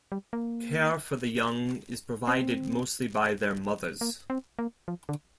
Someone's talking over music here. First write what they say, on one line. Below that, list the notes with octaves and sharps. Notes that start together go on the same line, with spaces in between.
Care for the young is provided mostly by their mothers.
G3
A#3
C4
A#3
C4
A#3
F3
D3